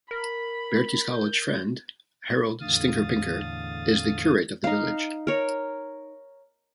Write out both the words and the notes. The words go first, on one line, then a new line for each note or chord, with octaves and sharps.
Bertie's college friend, Harold 'Stinker' Pinker, is the curate of the village.
A#4 B5
G6
E2 A2 D3 F5 D#6 A6
D#4 F5
A#4 C#5